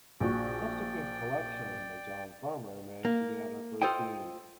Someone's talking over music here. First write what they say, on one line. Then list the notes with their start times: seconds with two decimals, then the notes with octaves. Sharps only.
A subsequent collection by John Farmer managed to gather thirteen.
0.20 A#1 F#4 D5 G5
3.05 A#3
3.82 F4 A4 C5 D#5 G5